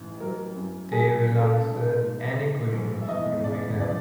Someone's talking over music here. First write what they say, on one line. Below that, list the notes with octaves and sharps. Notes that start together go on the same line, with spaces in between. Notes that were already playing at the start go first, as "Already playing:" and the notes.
They will answer any questions you may have.
Already playing: A1 G#2
F#3 A#4
F#2
F#3 G#4
C#3
A4
G#2
G#2
G#2
A#1
E5
E2 D#5
C#3 D5
F3 D5